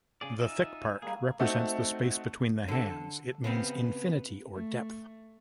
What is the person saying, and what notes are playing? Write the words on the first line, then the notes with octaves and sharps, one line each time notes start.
The thick part represents the space between the hands, it means infinity or depth.
C#3 G#4 D5 G#5
D#4 F4 E5
G3 G#3 A#3 G#4
A3 C4 D#4 F#4 F#5
D3 A4
C#3 B3 C4
A3